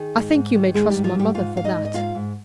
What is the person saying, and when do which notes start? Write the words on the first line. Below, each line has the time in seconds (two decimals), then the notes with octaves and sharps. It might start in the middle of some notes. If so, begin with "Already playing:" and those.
'I think you may trust my mother for that.'
Already playing: D#3 G#4
0.14 G#2
0.34 G#2
0.54 D#3
0.74 G#2 G#3 G#4
0.90 G#2 G3 G4
1.04 F3 F4
1.15 G#2 G3 G4
1.34 G#2 F4 F5
1.55 G#2 F5
1.64 D#4 D#5
1.75 G#2
1.85 D#5
1.94 G#2 F4 F5
2.15 G#2